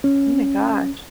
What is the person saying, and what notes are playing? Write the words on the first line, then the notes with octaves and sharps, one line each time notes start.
Oh my gosh.
C#4